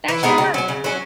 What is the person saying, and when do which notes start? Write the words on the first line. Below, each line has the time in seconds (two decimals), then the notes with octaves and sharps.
That should work.
0.08 E3
0.23 G#3 B3 D#4
0.38 C#3
0.54 F#3 C#4
0.68 C#3
0.84 F#3 C#4